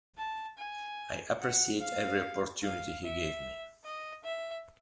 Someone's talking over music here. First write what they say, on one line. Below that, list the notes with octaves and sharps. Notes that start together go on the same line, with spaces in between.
I appreciate every opportunity he gave me.
A5
G#5
F#5
F5
F5
E5
D#5
E5